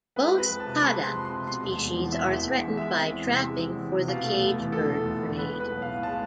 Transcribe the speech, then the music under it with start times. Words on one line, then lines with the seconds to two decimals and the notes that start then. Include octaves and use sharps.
Both "Padda" species are threatened by trapping for the cage bird trade.
0.16 G#3 B4
0.33 C4 B4
0.49 F2
0.60 A5
0.66 C3
0.82 G#3 B5
0.99 C4 C6
1.14 F2
1.25 C6
1.30 C3
1.47 B2 C6
1.64 E1
1.80 E1
1.96 E2
2.12 B2 E5
2.29 E1
2.45 E1
2.61 E2
2.77 G#3 E5
2.94 C4
3.11 E2
3.26 C3
3.43 G#3
3.59 C4
3.76 E2
3.91 C3
4.08 B2 F5
4.24 A3
4.40 F1
4.57 E2
4.72 B2 A4
4.90 A3
5.05 F1
5.22 E2
5.38 G#3 B4
5.54 B3
5.60 B4
5.70 B1
5.82 F5
5.88 A2
6.03 G#3 A5